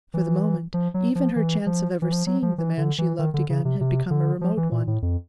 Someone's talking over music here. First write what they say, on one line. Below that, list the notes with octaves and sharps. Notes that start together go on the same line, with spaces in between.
For the moment, even her chance of ever seeing the man she loved again, had become a remote one.
E3
F3
F#3
F3
E3
F3
E3
F3
F#3
F3
E3
D3
E3
D#3
D3
C#3
C3
C3
D3
F3
E3
A#2
A2
F2